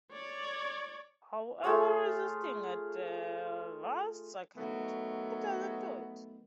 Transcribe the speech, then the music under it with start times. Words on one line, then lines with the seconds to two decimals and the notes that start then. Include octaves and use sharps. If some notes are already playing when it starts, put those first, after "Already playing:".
However, resisting at the last second, he doesn't do it.
0.13 C#5 D5
1.64 A3 F4 G#4 C#5
4.55 D#3 F#3 A3 B3